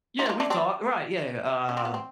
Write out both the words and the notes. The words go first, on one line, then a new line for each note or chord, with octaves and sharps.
Yeah. We talked right. Yeah, uh
D#4 F4
E4
D#4 F4
D4 E4
C4 D4
C#4
C4
B3
C4